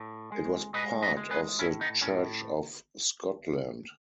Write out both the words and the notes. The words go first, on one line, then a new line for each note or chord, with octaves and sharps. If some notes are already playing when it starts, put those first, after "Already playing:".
It was part of the Church of Scotland.
Already playing: A2
G#3
G#3 B4 D#5
B4 D#5
G#3
G#4 B4
A2 C#4 E4
B3 D#4
A2 C#4